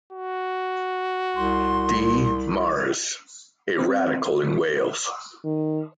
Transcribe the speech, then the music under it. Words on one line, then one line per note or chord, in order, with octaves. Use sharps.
D. Mares: A Radical in Wales.
F#4
C2 C6
C4
D#3